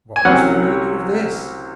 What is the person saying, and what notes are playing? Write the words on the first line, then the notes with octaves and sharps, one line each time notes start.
What was the meaning of this?
G#5
C2 C3 F#3 C#4 F#5